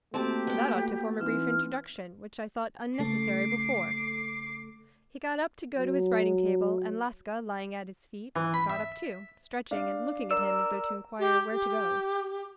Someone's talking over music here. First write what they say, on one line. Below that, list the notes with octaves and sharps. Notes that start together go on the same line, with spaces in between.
"That ought to form a brief introduction, which I thought unnecessary before." He got up to go to his writing table, and Laska, lying at his feet, got up too, stretching and looking at him as though to inquire where to go.
A3 A#3 C4 F#4 G4 A5 D6
B3 G5
E3 C4 D#4 F6
C#3 A3 A4 D6 C7
F#3
E3
B5
E5
D4 F5
A#4 D5 E6
G4
G4